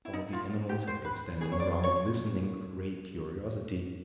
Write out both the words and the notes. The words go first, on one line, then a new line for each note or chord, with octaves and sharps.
All the animals had been standing around listening with great curiosity.
E4
D#4
F4
G4
C5
B4
G#4
C#5
D5
C#5